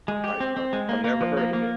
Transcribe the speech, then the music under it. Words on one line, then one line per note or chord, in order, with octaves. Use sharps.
Python. I've never heard of that.
G#3
G4
C4
C4
G#3
A#3
A#3
F3
A#3
A#3